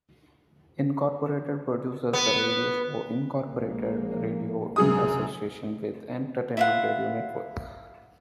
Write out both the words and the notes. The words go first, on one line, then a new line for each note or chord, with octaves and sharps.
Incorporated produces the radio show "Incorporated Radio" in association with Entertainment Radio Network.
B3
A#1 G#3 A#3
C#2 F#2 C3 G#4 D#6
E4 F4 F#5